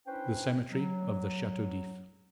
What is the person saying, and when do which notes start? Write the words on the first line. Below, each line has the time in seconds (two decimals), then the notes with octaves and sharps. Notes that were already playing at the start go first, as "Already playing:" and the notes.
The Cemetery of the Chateau D'If.
0.07 C#4 D4 E4 B4 C5 G5
0.71 F#3